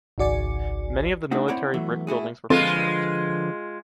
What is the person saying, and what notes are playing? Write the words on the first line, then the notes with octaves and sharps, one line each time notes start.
Many of the military brick buildings were preserved.
G#1 C#2 F#4 D5 G#5 C#7
A3 D4 D#4 F#4
C4 E4 C#5 D5 F#5 A#5
E3 F#3 A3 B3 E4
A3 E4 F#4 G#4
D3 F3 G#3 C4 F4 A4 B4